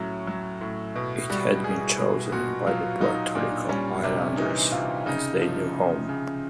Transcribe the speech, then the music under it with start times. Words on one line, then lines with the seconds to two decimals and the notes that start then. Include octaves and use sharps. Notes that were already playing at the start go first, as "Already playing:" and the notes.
It had been chosen by the Puerto Rico Islanders as their new home.
Already playing: A2 F#3 C#4
0.27 F#3
0.61 A2
0.96 B2
1.30 G3 F#4
1.64 G3 G#4
1.98 B2
2.32 A#2 F#4
2.67 F#3 F4
3.01 F#3 D#4
3.35 A#2 D4
3.69 G3 C#4
4.03 C3 D4
4.37 E3 D#4
4.72 C3 F4
5.06 C#3 D#4
5.41 F3
5.74 F3
6.09 C#3